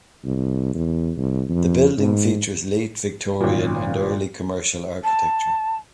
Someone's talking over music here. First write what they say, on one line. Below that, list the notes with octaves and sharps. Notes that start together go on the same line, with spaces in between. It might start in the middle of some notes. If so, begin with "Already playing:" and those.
The building features Late Victorian and Early Commercial architecture.
C2
E2
C2
F2
G#2
G#1 A#2
A5